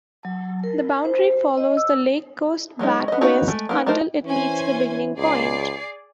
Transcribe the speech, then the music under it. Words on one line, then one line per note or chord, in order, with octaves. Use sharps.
The boundary follows the lake coast back west until it meets the beginning point.
F#3
A#4
C5
D#5
E6
F#3 G#3 C#4 D#4
B3 D#5
A#3 C#4 D#4 F#4 B4
G#3 A3
A#3 B3 D#4
A3 D4 D#4 A#4 C5
E3 C#4 C5 G#5
C#2 G#4 D5 C7